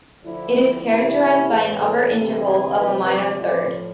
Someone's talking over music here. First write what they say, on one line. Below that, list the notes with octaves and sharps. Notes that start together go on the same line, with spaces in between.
It is characterized by an upper interval of a minor third.
D2 D3 F3 E4
E2 C3 E3 E4
A2 E3 G#4
A4
D2 C3 E3 A4
G#4
D2 C3 F3 B4
D5
A2 F3 D5